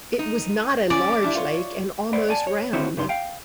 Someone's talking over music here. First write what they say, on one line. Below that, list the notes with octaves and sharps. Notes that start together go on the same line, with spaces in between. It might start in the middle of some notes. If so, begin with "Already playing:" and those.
It was not a large lake, and almost round.
D#4
F2 C#4 D5
G3 D4 E4
F4 B4 C#5
B4 C5 D5 F#5
D5 G#5 A5
C#5
D#3 C4 E4 F#4 C5 C#5
C#3 G3 D#4 C6
F5 G5